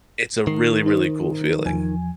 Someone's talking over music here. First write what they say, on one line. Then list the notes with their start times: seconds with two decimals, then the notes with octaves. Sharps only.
it's a really, really cool feeling
0.47 D#3 C7
0.86 D#4 C5
1.66 E2 F3 G#5